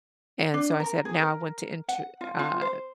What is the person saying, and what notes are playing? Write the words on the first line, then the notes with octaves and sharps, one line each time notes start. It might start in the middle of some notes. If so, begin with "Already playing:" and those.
and so I said, “Now I want to enter “uh,
D4
A#4
G#4
A#4
F#5
F4
F4
C5